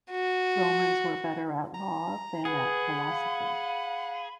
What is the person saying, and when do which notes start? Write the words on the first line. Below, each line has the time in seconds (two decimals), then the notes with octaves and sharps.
Romans were better at law than at philosophy.
0.11 F#4
1.74 A#5
2.45 G#4 B4 F#5 B5
3.08 F5